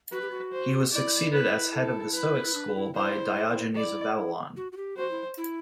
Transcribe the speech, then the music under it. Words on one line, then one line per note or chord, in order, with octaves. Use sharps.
He was succeeded as head of the Stoic school by Diogenes of Babylon.
F#4 B4
G4
F#4
C5
E4 D5
B4
A4
B4
E4
D4
E4
E4 C5
E4 D5
F#4
F#4
G4
F#4 C5
E4
E4